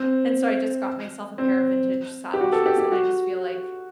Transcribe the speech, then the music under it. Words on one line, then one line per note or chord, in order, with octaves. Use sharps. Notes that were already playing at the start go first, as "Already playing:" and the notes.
And so, I just got myself a pair of vintage saddle shoes, and I just feel like,
Already playing: C4
C4
G4
F#4
A4
G4
G4
F#4